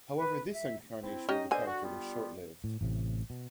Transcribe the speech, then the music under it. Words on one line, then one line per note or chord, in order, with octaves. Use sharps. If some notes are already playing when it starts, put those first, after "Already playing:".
However, this incarnation of the character was short-lived.
B4
E5
C4 E4
C#4 D#4 G4 D#5
D3 B3 C5 D#5 G#5
F#4
G3 B3 F4
A2
A1 A2 C3
B2